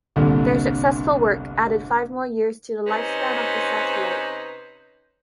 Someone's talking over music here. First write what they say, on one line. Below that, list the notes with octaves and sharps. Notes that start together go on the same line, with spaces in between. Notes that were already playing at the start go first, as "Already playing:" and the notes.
Their successful work added five more years to the lifespan of the satellite.
G1 C2 A#2 D3
C3 C#4 D#4 B4 C5